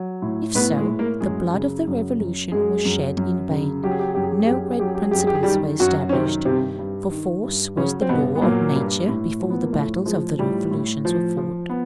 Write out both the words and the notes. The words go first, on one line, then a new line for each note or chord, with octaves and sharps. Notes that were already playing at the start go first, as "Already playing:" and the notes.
If so, the blood of the Revolution was shed in vain; no great principles were established; for force was the law of nature before the battles of the Revolution were fought.
Already playing: F#3
A2
A2 B3 B4
G#3 G#4
A2
A#3 A#4
F#2 G#3 G#4
C#3
F#2
F#2
F#2 G#3 G#4
F#2
F#2
C#3
F#3 G4
G#4
G4
G#4
F#2 G4
G#4
G4
G#4
F#2 G4
G#4
G4
G#4
F#3 G4
G#4
G4
G#4
G4
F#2 G#4
G4
G#4
D#3 G3 G4
F#2 F#3 F#4
C#4
C3 D#3 C4
G2 C3 C4
G2
D#3
G2
C#3 F#3 C#4
C4
G2 B2 B3
B3
A#2 F#3 A#3
G2
A2
F3
B3
A#3
A2 A3
F3 G#3
A2 G3
A2
F3
F3
B3